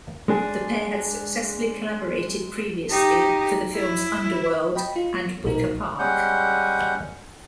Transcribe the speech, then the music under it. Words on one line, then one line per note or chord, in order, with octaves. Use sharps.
The pair had successfully collaborated previously for the films "Underworld" and "Wicker Park".
G#3 D4 G#4
D#4 G4
E4
D#5 G5 B5
F4
B1 A#2 D#4 A#4
G3 G#3 C#4 F#5 G6